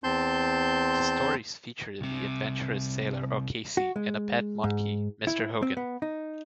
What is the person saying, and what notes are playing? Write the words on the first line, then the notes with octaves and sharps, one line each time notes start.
The stories featured the adventurous sailor O'Casey and a pet monkey, Mr. Hogan.
E2 C4 A5 C6 G6
C2 C3
F#4
G#3
G#2
E4
C4
B3
D#4